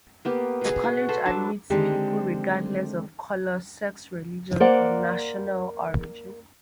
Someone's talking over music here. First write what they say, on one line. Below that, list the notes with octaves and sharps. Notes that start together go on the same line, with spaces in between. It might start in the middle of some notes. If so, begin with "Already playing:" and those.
The College admits people regardless of color, sex, religion, or national origin.
A#3 B3 G4
B2 G#4
F#4
A4 B4 C5
F#3 D4 A5
D3 D#3 G#3 C4 G4 A4
A#3 A#4 C5 D5 F#5